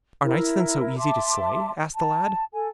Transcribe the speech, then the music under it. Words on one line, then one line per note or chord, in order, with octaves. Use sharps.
'Are knights then so easy to slay?' asked the lad.
E4 A#4
E5 A5 C6 D6
A5
A4 G#5